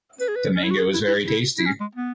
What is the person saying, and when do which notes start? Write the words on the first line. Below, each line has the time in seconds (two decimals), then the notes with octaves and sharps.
The mango was very tasty.
0.20 B4
0.28 G#4
0.36 B4
0.56 C#4
0.64 E4
0.70 F#4
0.79 G#4
0.93 E4
1.07 E4
1.27 E4
1.58 E4
1.66 C#4
1.80 G#3
1.95 B3